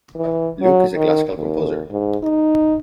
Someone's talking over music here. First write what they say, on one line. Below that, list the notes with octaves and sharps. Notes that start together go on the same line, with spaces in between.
Luke is a classical composer.
E3
F#3
D#3
D#2
G#2
D#4